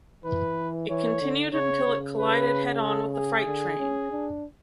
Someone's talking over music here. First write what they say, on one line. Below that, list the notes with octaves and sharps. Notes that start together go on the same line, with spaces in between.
It continued until it collided head-on with the freight train.
E3 B4
E3 C#5
D3
C#3 C#5
C#3
B4
A4
G#4
D3
C#4
D4